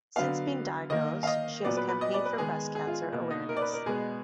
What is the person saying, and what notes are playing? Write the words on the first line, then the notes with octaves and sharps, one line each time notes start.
Since being diagnosed, she has campaigned for breast cancer awareness.
D3 F#3 B3 F5
D#3 A#3 D#5
F5
D#5
A#2 F#3 B3 D5
B4
B4
D#5
D5
B4
D#3 G#3 B3 G#4
G#4
F4
B2 A#3
D#4
A#4
D5
B4
A#4
B2 G#3 B3 G#4